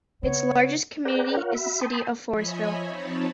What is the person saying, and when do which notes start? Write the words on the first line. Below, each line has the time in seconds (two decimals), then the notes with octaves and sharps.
Its largest community is the city of Forestville.
0.23 C#3 B3 C#5
1.05 G#4 B4 D5 F#5 G5 A#5
1.37 F4 A#4 C#5 F5 F#5
1.54 F#4 E5 B5
1.81 G5 A5 B5 C6 D#6
2.32 F3 C#5 D#5 E5 G#5 B5
2.86 F3 C4 D#4 C#5 A5 B5